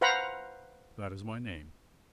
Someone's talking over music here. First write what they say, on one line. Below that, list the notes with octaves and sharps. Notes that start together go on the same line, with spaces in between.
"That is my name."
B4 C5 F5 F#5 A#5 B5